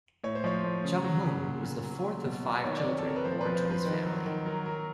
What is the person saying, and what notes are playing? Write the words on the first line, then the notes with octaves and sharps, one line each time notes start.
Chung-Hoon was the fourth of five children born to his family.
A2 C#5
C5
F3 C#5
A2
C#3
F#3
C#3
A#2
A#2
F#3
F#3
B2
F#3
D#3 C#5
D5
C3 C#5
A4
C3 A#4
B4
F3 C5
F3 B4
C5
F3
B4
D#3 B4
F#3
D#3
F#3 A#4
F#3 A#4